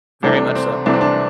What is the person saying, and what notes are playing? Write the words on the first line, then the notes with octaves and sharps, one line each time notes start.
Very much so.
C2 C3 E3 A3 D4
C4
C2 C3 E3 A3 D4
C4
D4